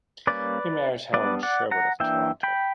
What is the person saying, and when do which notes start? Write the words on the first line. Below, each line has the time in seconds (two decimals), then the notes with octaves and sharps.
He married Helen Sherwood of Toronto.
0.27 G3 A#3 C#4 B4 D5
1.13 G3 B3 D4 B4 D5
1.43 D5 F#5
1.71 F#5 A#5
2.00 E3 A#3 D4 E5 G5
2.43 G5 B5